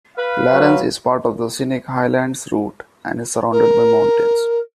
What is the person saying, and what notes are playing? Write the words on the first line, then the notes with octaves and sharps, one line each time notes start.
Clarens is part of the scenic Highlands Route and is surrounded by mountains.
B4 F5
F#3
A#4